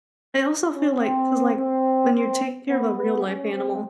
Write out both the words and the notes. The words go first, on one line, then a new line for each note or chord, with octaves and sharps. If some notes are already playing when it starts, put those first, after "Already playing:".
I also feel like 'cause, like, when you're taking care of a real life animal,
C#4
C4
C4
C4
B3
B3
C#4
C4